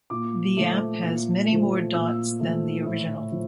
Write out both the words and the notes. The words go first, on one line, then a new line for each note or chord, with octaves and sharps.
The app has many more dots than the original.
A#2 D6
F3 A3
A#2
F3 A3
A#2 E6
F3 A3
A2
F3